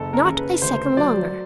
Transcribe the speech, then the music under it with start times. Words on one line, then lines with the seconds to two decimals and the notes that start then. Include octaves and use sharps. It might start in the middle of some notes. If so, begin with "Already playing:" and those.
"Not a second longer."
Already playing: F#1 A4
0.13 A#4
0.25 C#3
0.37 B4
0.62 D2 C5
0.97 F#3 D5